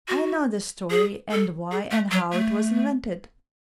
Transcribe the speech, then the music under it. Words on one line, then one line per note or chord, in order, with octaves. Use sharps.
I know the story and why and how it was invented.
F#4
G#4
A4
G#4
A3
F#3
A3